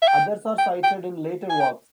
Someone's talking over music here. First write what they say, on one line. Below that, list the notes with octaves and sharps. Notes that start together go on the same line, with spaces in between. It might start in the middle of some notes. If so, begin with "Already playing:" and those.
Others are cited in later works.
E5
G5
G5
G5
G#5
G5